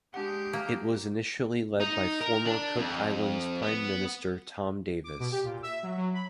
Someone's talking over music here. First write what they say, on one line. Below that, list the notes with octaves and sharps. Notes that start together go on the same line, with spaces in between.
It was initially led by former Cook Islands prime Minister Tom Davis.
G#3 D4 G4 F#5
A#3
D#4
A#4
D4
F2
B3
D6
B2
G4
A#2
E5
F#3
F#3
B5